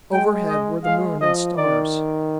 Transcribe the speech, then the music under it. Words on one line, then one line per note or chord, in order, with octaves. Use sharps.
Overhead were the moon and stars.
G#3 G5
D#5
G#3 F5
F3 D#5
D#3 D5